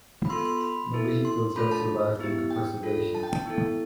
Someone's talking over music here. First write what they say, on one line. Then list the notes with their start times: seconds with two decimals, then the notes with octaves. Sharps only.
No vehicles have survived into preservation.
0.25 B5
0.29 B3 F4 A4 C6
0.38 B5
0.46 C6
0.61 B5
0.93 B3 E4 A4
1.25 C6
1.56 A3 D4 F4 A4 B5
1.71 A5
2.19 B3 E4 G4
2.51 G5
2.83 D4 F4 A4
3.15 A5
3.23 G5
3.33 A5
3.45 B3 E4 A4